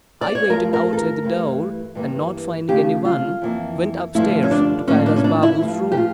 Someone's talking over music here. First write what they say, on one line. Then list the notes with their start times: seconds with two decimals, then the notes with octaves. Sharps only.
I waited outside the door, and, not finding any one, went upstairs to Kailas Babu's room.
0.21 D5
0.35 C#5
0.49 G2 F3 A3 A#4
0.73 A#4
0.93 A4
0.97 A#4
1.22 G2 E3 A3
1.95 G2 E3 A#3
2.68 C#3 F3 A3 G4
3.05 F4
3.42 F2 E3 A#3
4.15 G2 D3 F3 A3 E4
4.43 C#4
4.51 D4
4.87 A2 F3 A#3 C#4
5.06 D4
5.16 C#4
5.24 D4
5.43 E4
5.61 G2 F3 A3
5.92 G4
5.97 F4